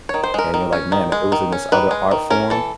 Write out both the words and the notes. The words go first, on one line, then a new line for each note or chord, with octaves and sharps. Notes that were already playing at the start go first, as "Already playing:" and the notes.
and you're like, "Man, if it was in this other art form,"
D#3 C#5
C5
G#3 A#4
D#3
C#4
D#3
G#3
D#3
C#4
D#3 B4
G#3
D#3
C#4 A#4
E3 A4